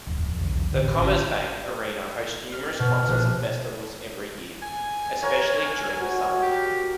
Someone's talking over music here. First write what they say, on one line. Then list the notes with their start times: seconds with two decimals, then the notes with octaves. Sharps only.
The Commerzbank-Arena hosts numerous concerts and festivals every year, especially during the summer.
0.07 D1 F2
0.39 B1 E2 D3 F#3
0.73 A1 D3
0.97 G#1 C#4
2.52 F6
2.79 B2
3.08 A#1
4.62 G#5
5.22 A#4 C#5 F#5
6.01 F#4
6.42 G4